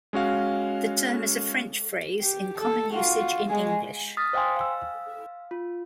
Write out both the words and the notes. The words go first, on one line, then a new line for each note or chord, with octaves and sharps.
The term is a French phrase in common usage in English.
G#3 C#4 F#4 F5
G4
A4
F4 F#4
G#3 G#4
D#6 F6 A6 B6
C5 D#5 F5 G5 G#5 C6
F5 E6
F4